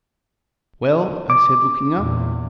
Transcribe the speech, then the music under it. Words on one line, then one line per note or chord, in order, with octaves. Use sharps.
"Well?" I said, looking up.
D6
E2 A#2